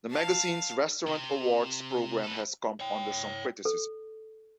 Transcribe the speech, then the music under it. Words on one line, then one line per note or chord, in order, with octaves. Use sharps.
The magazine's Restaurant Awards program has come under some criticism.
F5 A5
C3
A4 B4
C#5 G5
A4